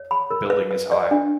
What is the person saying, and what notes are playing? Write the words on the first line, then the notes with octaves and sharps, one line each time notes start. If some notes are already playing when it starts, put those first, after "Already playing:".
The building is high.
Already playing: C#5
B5
A#4
B4
B4
D5
D4